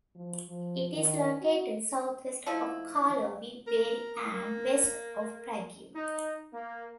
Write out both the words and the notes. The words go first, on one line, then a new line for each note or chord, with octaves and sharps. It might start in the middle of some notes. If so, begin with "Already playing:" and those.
It is located southwest of Karlovy Vary and west of Prague.
F3
F3
D#3
F#4
F3 A3 D#4 E4
A#4
A#3
D#4
A#3